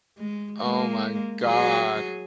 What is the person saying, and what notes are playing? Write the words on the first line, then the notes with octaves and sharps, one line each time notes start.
Oh my god.
G#3
G#3 A#3
F#3 G#4